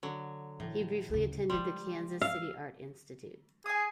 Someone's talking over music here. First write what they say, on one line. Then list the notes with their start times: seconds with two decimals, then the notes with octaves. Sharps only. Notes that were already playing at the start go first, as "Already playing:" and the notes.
He briefly attended the Kansas City Art Institute.
0.03 D3 F#3
0.60 A2 D#3 E3
1.09 D2 C#3
1.50 F3 G3 G#3 C6
2.22 F5 E6
3.66 G#4 G#5 D#6